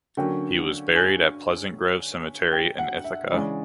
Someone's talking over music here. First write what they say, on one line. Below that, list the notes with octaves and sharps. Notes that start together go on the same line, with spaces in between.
He was buried at Pleasant Grove Cemetery in Ithaca.
D3 F#3 A#3 C#4 G5
G#5
G5
F#5
E5
C#3 E3 G#3 C#4 D5